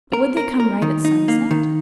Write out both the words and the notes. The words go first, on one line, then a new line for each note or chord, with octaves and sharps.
'But would they come right at sunset?'
A#4
A#4
A#4
D#3
D#4
A#3
D#3